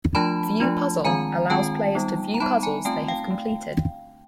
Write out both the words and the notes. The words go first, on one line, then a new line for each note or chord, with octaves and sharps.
"View Puzzle" allows players to view puzzles they have completed.
F3 A3 D4 F4 A5 B5
F3 A3 D4 F4
D#3 G#3 C4 F4 G#5 A#5
D#3 G#3 C4 F4 G5 A5
G3 B3 D#4
A#5
G3 B3 D#4 A5 B5
G#5 A#5
A3 C4 F4 G5 A5
F5 G5
A3